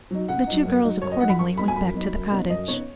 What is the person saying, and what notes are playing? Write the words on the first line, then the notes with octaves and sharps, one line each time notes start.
The two girls accordingly went back to the cottage.
F#3 D#4
C#3 F#5
F#3 D#4
F#2
F#3 D#4
F#2 C#5
D#5
F#3 D#4 F#5
B5
F#2 C#6
F#3 B3 D#4 B5
G#5
F#2 B5
F#3 B3 D#4
F#2
C#3 B3 D#4
F#2 D#5
C#3 B3 D#4 C#5